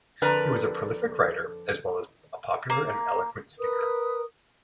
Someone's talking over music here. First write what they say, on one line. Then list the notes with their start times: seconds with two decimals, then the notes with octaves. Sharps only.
He was a prolific writer, as well as a popular and eloquent speaker.
0.22 F2 D3 A#4 B4 D5 A#5
2.70 A#3
3.58 A#4 B4 D#6